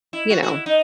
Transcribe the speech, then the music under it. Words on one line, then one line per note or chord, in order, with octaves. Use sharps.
you know.
E4
F#4
F#4
E4
D#4